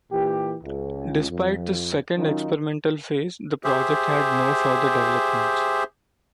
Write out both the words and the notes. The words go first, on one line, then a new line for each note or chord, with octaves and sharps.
Despite this second experimental phase, the project had no further developments.
A#2 E3 G4
C#2
F2
D#3 F#3 C#4 D#4 F4
G4 G#4 C5 E5